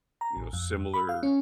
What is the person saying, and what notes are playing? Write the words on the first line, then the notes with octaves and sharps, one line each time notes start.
you know, similar
A#5
A1
F2
B5
F5
C#4